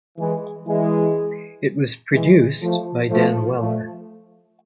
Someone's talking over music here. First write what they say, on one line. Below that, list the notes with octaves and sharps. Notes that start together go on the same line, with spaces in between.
It was produced by Dan Weller.
E3 G#3
E3 G#3
E3 G#3
F3 A3
F3 A3
F3 A3